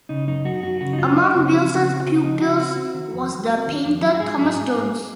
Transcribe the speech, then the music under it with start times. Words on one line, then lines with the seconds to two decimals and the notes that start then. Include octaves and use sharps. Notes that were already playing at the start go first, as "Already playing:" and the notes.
Among Wilson's pupils was the painter Thomas Jones.
0.09 C#3 D#4
0.27 F#2 D#4
0.45 F#3 F#4
0.63 F#2 F#4
0.81 C#3 F#4
0.93 D#4
0.99 F#2 F4
1.09 C#4
1.16 F#3 D#4
1.34 C#3 C4
1.52 F3
1.70 C#3
1.88 C4
2.06 C#3
2.23 F3 D#4
2.41 C#3 F#4
2.59 C4 F#4
2.77 C4
2.94 D#3
3.13 F2
3.30 F#3
3.49 C4
3.66 D#3
3.84 F2
4.01 F#3
4.14 F#4
4.20 G#2 G#4
4.38 F#3
4.55 G#2
4.74 A#3